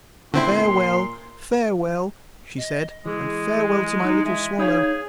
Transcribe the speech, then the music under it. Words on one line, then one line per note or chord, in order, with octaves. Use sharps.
'Farewell, farewell,' she said 'and farewell to my little swallow.
A#2 D3 C4 E4 C6
D#5
E3 G#3 G#4
D#4
G#3 E5
D#4 G#4 C#5 F5